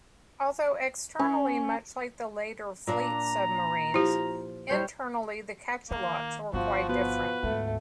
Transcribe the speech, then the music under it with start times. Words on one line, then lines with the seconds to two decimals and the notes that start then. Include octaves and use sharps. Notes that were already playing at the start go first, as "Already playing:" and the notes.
Although externally much like the later "fleet submarines," internally the "Cachalot"s were quite different.
1.19 C#4
2.87 A#2 A#3 D4 A#5
3.94 F3 E4 F4 G4
4.69 G3 C5 C#5 G5
5.91 D#3 A#3
6.54 G1 F3 F#4
6.89 B3 F#4 B4
7.43 D2 G#2 A3